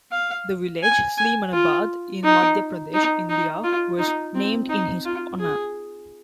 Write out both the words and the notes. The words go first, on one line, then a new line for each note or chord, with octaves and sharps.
The village Sleemanabad in Madhya Pradesh, India was named in his honour.
F5
G#5
G#5
F4
D#4
D#4
D#4
F4
D#4
C4
D#4
F4
G#4